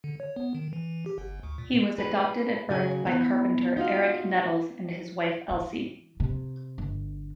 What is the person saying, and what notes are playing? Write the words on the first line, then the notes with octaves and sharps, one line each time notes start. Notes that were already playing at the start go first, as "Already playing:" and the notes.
He was adopted at birth by carpenter Eric Nettles and his wife Elsie.
D3
C#5
B3
D#3
E3
G4
G1
D2
A#2
G#4 B4
C#3 F#3 G#5
E3 B3
D#4 F4 F#4 F5
E3
C3
G1